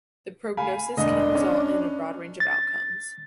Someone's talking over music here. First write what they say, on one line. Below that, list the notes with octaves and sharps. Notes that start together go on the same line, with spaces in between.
The prognosis can result in broad range of outcomes.
F5 G#5 B5
E1 D4 D#5
C#4
A6